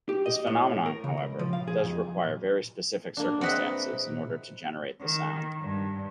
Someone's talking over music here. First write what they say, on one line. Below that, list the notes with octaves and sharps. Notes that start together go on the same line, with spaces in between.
This phenomenon however, does require very specific circumstances in order to generate the sound.
G4
D#5
A2
A#4
C#3
C#2
F3
F5
G#4
F2
A#3 D4
G#3 C4 B4 D#5 E5 F#5
D#3
G2